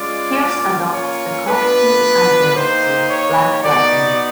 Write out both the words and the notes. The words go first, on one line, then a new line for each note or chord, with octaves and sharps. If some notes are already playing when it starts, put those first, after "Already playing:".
Pierce adopts the costumed identity "Black Lightning".
Already playing: G#3 C#4 F4 D5
A#3 C#4 F4
C#5
B3 D4 F4 B4
A#3 D#4 G4 C5
C#5
B3 D#4 F#4 D5